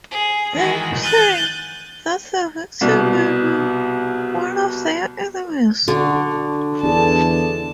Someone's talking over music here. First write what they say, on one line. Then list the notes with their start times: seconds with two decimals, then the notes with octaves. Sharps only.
They pray that the victim may be one of their enemies.
0.11 G#4
0.54 D#3 E3 G#3 F#4
1.03 G#5 F#6 G6 A6
2.81 C2 B2
5.88 D3 D4 F#4
6.83 E2 D4 G#4 A4 A5